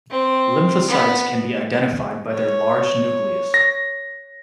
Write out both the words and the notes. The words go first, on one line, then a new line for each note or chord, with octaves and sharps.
Lymphocytes can be identified by their large nucleus.
C4
B3
C#5
A#6